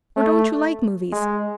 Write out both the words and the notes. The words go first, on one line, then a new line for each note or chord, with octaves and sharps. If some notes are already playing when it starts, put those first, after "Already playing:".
Or don't you like movies?
A3
G#3